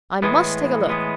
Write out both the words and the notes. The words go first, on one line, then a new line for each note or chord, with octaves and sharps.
I must take a look.
A2 E3 G#3 B3
A2 E3 G#3 B3